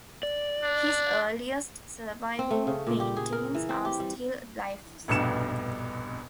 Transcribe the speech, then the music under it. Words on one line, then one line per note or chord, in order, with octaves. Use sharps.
His earliest surviving paintings are still lifes.
D5
D4
C4
A3
C#3
A#2
G4
G#4
A#4
E3
C4
G4
G3
F1 A#1 G2 B2 C#7 E7